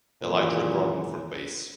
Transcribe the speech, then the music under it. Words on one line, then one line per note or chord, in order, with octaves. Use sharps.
Elytra broadened from base.
G#1 F#2 A#2 C#3 E3